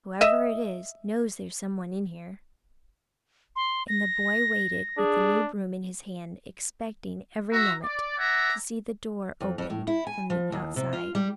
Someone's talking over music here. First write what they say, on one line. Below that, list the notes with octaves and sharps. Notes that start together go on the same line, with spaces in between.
"Whoever it is, knows there's someone in here." And the boy waited with the new broom in his hand, expecting every moment to see the door opened from the outside.
D#5 E5
C6
A#6
D4 G#4
F#4 E5 A#5
D5
D5 E5 F#5 G#5 A#5
F2
F2
A2
E4
G#5
F3
D#2
C3
F4
G3